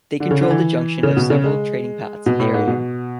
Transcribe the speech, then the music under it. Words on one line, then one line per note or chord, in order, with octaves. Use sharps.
They controlled the junction of several trading paths in the area.
D3
C#3
D3
E3
C#3
B2
C#3
G#3
B2
A2
G#2
B2